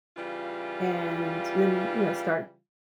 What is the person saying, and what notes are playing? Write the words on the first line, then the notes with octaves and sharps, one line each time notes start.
and then, you know, start
C#3 E3 G3 F4